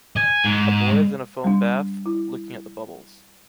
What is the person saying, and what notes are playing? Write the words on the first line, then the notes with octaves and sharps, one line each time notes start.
A boy is in a foam bath? Looking at the bubbles.
G#5
G#2
G3 D4
E4